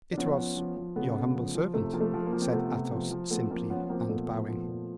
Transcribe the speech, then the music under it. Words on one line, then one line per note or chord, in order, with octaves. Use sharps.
"It was your humble servant," said Athos, simply, and bowing.
D4
F3 B3 C#4
F3
F3
F3
C#3 A3 B3
C#3
F3
F3
C3 A3
F3 A#3
A3
F3
A#3
F3
C4
C3 A3 B3
C3
F3
F3
F3 A3 B3
F3 A#3 C4
F3 B3 C#4
B3
F3 A#3 C4
A#2 A3 B3
A#2
F3
A#2